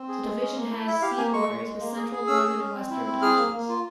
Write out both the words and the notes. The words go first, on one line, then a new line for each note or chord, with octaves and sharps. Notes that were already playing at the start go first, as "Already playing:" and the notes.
The division has sea borders with Central, Northern and Western Divisions.
Already playing: C4
G#4
G#3
C#4
A#3
E4
E4 E5
G4 F5
A#3 G#5
G#3 C#6
G#3
G#3
A#3
G#4
G#4
C#4 E6
G#4
C#4
C4
E4
C4
G#4 F6
A#3
A#3
F4